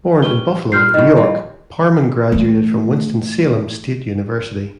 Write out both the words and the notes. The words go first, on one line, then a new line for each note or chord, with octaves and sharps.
Born in Buffalo, New York, Parmon graduated from Winston-Salem State University.
C#4 G4 B4 G7
A#2 G3 C4 F6 G6 C7
A2 D#3 D#5
E3 F3 G3
E3 A3